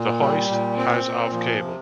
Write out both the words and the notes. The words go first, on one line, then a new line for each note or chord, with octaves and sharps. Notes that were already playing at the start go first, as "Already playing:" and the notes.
The hoist has of cable.
Already playing: A#2
G3
A#2
C4
A#2
F3
C3